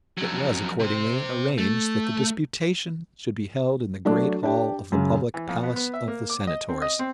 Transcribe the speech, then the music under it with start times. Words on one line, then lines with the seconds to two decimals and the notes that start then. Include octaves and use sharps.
It was, accordingly, arranged that the disputation should be held in the great hall of the public Palace of the Senators.
0.18 F2 F#3
0.79 C3 C5
1.58 A3
4.05 F#3 A3 D4
4.43 D4 G4
4.92 F#2 C#3
5.34 E3
5.49 F2
5.63 B3
5.76 B3
5.94 E5
6.08 A#3
6.30 D6
6.47 D#5
6.69 C4
6.82 D#5
6.99 C4